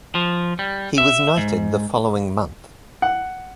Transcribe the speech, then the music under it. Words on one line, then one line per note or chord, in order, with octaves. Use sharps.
He was knighted the following month.
F3
G3
E5
G#2
F#5